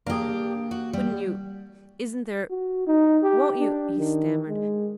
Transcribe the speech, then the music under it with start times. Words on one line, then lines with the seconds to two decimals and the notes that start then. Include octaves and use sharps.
"Couldn't you--Isn't there--Won't you--" he stammered.
0.06 A#3 D4 G4 G#4
0.71 F#4
0.93 G3
2.50 F#4
2.87 D#4
3.23 G4
3.59 D4
3.98 D#3
4.49 G#3